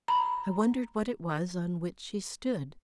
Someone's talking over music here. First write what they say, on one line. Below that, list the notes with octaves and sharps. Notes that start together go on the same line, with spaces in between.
I wondered what it was on which she stood.
A#5 B5